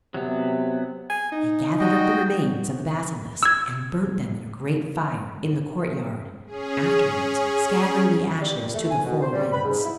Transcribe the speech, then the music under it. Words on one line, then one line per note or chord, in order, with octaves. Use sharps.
They gathered up the remains of the basilisk, and burnt them in a great fire in the courtyard, afterwards scattering the ashes to the four winds.
C3 F#3 B3
G#5
D#4
F#4 D#5 G5
E6 G#6
C#4 G#4
G3
A#2
A3
G#5
B2
C5
G3
B5
G#2
E4